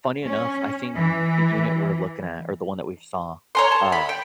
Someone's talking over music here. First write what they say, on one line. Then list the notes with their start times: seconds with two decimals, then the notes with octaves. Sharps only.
funny enough, I think the unit we're looking at or the one that we've saw, um,
0.25 C#4
0.95 E3
3.55 C#5 A#5 C6
3.72 A5
3.92 B5
4.09 G5